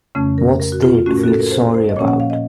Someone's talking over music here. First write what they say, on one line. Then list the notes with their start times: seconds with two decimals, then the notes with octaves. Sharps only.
What's there to feel sorry about?
0.15 F2 C#3 A3 C#4
0.38 A#4
0.60 A#4
0.72 F#4
0.82 F4
0.95 F4
1.06 A2 A3 C#4 F#4
1.17 A#4
1.23 F#4
1.28 A4
1.39 A#4
1.51 C5
1.74 C5
1.89 D#5
1.96 A#2 F3 A#3 C#4 C#5
2.08 F#5
2.20 F5
2.30 D#5